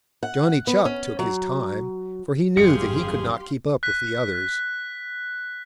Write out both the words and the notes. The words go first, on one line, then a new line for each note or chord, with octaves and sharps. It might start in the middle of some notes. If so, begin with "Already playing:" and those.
Johnny Chuck took his time, for he knew that he could not keep up with the others.
F#5
B3
C#4
F#3
G#1 F#2 G4 G#4 F5 C6 C#7
F#6 B6